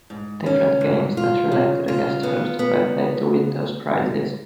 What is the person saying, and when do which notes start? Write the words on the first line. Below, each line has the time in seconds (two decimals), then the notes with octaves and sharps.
Different games that relate to the Guest Host were played to win those prizes.
0.10 G#2
0.46 C#4
0.81 G#2
1.17 F4
1.52 C#3
1.88 F4
2.23 B3
2.59 B3